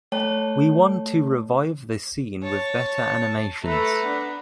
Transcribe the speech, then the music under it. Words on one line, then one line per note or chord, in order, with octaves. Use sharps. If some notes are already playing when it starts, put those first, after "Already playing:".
We want to revive the scene with better animations.
A3 C#5 G5 A5
C#5 A5
A3 A4 B4 A#5
B3 D4